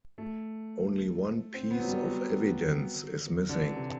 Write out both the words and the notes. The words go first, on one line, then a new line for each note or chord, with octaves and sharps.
Only one piece of evidence is missing.
A3
C4
B3
F#3
G3
F#3
D3
E3
C3